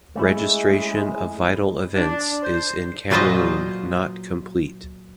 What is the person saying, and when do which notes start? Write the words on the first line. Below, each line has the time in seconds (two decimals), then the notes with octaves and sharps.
Registration of vital events is in Cameroon not complete.
0.16 G#3 A3 C#4 E4
1.95 D4
2.42 C5
3.10 A#2 F#3 F4 B4 C5 D#5